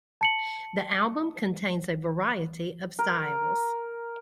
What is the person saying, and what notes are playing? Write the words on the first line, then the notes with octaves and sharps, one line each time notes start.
The album contains a variety of styles.
A5 C#7 F#7
A#4